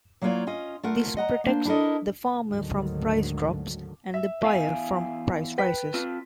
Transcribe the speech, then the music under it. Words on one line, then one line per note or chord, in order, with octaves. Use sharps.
This protects the farmer from price drops and the buyer from price rises.
F#3 A#3 E4 F4 C#5 D5
C#4 F4 D#5
A3 F4 A#4 F#5
D#5 F#5 A#5
A#3 D4 C5
D4 E4 A4 A#4 D#5
D2 G#2 D3 D#3 F#3
E5
E2 F5 G#5
B4 G5 B6
C4 F4